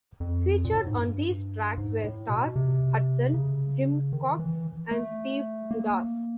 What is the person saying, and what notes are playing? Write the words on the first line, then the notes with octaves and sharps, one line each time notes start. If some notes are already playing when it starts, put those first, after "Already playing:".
Featured on these tracks were Starr, Hudson, Jim Cox and Steve Dudas.
F2
A#2
A2
G#2
G2
G#2
A2
B2
C3
C#3
D#3
E3
A3
A#3